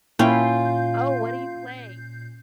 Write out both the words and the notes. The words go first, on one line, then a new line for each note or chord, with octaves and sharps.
Oh, what do you play?
A#2 A#3 C#4 E4 F4 G5 G6 C7